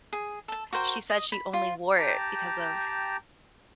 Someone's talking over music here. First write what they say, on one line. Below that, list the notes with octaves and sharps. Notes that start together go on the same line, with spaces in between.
she said she only wore it because of, eh
G#4
A4 A5
F#4 A#4 C5 G5
D#5
B5
F4
G4 G5 A5 A#5